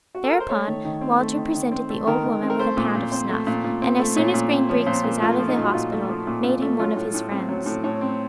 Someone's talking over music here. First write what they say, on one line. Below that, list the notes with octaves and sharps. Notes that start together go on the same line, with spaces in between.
Thereupon Walter presented the old woman with a pound of snuff, and as soon as Green Breeks was out of the hospital made him one of his friends.
F#4
A4
A#4
C5
A3 C#5
D#3
D#3
C4
A3
D#3
D#3
C4
A3
D#3 A#4
D#3
C4
A#4
A3 C5
A#2
A#2
C4 C5
A3
A#2
A#2
C4
A3
A#2 C#5
A#2
C4
F3 C#5
C#5
A#2 C5
A#2 A#4
A3 F4
F3
D#4
A#2
F#4
A#2 F4
A3
F3
A#2
A#2
A3
F#3 F4
A2
A2
C4
F#3
A2
A2 C#5
C4